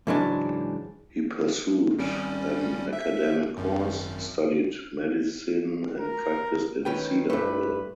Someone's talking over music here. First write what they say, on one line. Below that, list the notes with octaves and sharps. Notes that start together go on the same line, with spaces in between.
He pursued an academic course, studied medicine and practiced in Cedarville.
G#2 C#3 E3 F#3 G#3 D4
G#1 G3 C#4
E5
G#1 F#2
A#4
D#3 C#4 B4 G5
G2 A3 B4